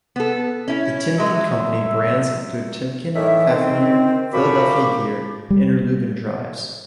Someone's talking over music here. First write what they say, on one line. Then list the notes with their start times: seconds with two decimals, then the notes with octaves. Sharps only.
The Timken Company brands includes Timken, Fafnir, Philadelphia Gear, Interlube and Drives.
0.16 B3 A4
0.68 C#4 E4
1.18 F#3 G#3 E5
3.15 A2 D#3 E3 E5
3.48 D#3 C4
4.33 A#2 F3 F#4 B5 D6
5.50 G3